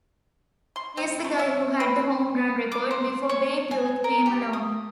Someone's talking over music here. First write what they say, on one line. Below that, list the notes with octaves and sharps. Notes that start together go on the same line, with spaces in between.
He's the guy who had the home run record before Babe Ruth came along.
C6
C4
A3
E5
B4
D6
C5
C#5
G#5
A#4
G4
D#6